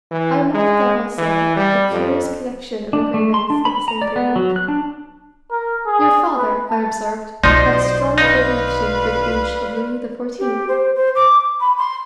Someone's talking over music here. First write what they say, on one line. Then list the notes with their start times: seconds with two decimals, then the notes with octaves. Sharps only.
I remarked there also a curious collection of engravings of the same period. "Your father," I observed, "had a strong predilection for the age of Louis the Fourteenth."
0.11 E3
0.54 G#3
1.18 E3
1.57 G3
1.92 F2
2.93 D4
3.14 A3
3.34 C6
3.50 D4
3.65 B5
3.88 A#5
4.02 D5
4.16 B3
4.36 F#3
4.56 F#6
4.68 D4
5.51 A#4
5.87 G#4
6.37 B4
6.70 A5
7.43 B1 F3 D#4 C5 D5 C6
8.18 D#4 B4 F5
10.38 G4
10.68 C5
10.95 C5
11.15 D6
11.60 B5
11.77 C6